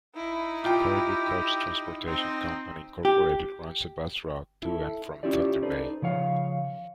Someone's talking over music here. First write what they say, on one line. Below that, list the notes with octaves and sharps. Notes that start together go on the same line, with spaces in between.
Caribou Coach Transportation Company Incorporated runs a bus route to and from Thunder Bay.
D#4 E4
F4 G4 G5
C4 D#4 C6
G4
E4 A4
C#4 E4 F4 G4 D5
D#4 A4 B4 C5 D5
C#3 F3 C#5 F5